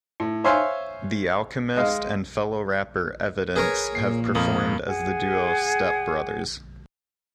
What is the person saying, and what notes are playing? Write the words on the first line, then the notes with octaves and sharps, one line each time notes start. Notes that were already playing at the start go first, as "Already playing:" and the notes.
The Alchemist and fellow rapper Evidence have performed as the duo Step Brothers.
A2
C5 C#5 E5 F5 G#5 C6
G#3 D#5 F5
G#4 A#4 B4 C#5
A#2 C7
F2 A#3 D#6
G#4 F#5